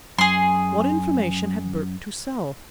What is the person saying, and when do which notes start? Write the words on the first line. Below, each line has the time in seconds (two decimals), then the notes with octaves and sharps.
What information had Burke to sell?
0.19 F#2 G#4 C6